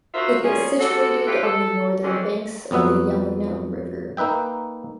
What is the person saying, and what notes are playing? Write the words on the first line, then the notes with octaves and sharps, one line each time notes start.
It is situated on the northern banks of the Yamuna River.
D#4 F4 F#4 A#4 C5 E5
C3 F3 G3 C#4 G#4
G#3 F#4 G4 A4
E4 F4 G4 B4
A4
B2 D3 E3 G#3 C4 C#4
F2 F#3 B3 E5 F#5
A#3 D#4 B4 E5 G5